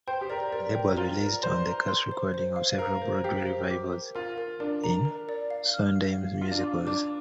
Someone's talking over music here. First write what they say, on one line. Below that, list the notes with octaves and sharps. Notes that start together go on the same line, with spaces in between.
The label has released the cast recordings of several Broadway revivals of Sondheim's musicals.
C5 G5
G4
A#4 D5
A#4 D5
G5
F4 A#5
A#4 D5
C5 D5
A#5
C6
C5
C5
F5
A#4 F5
C5
G4 F5
C5
D6
A#4
F4 A#4
A#4
D4 A#4
A#5
A#4
D5
F5
F6
F5
F5
F4 F5
D4
F4
D6
D4 D6